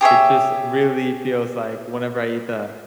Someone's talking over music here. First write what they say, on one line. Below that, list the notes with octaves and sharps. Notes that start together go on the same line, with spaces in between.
It just really feels like whenever I eat the
G4 G#4 C#5 E5